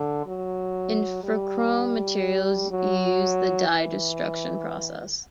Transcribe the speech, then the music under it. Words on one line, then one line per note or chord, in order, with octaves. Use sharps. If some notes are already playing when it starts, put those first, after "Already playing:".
Ilfochrome materials use the dye destruction process.
Already playing: D3
F#3
G3
F#3
E3